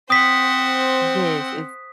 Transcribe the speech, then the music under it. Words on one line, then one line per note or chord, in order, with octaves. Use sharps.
Yes, it's
C4 C5 F#5 D#6 B6